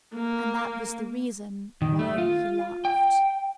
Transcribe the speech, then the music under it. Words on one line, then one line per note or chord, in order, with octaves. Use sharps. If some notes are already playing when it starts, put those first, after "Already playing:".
And that was the reason why he laughed.
A#3
D#3
A3
F4
G5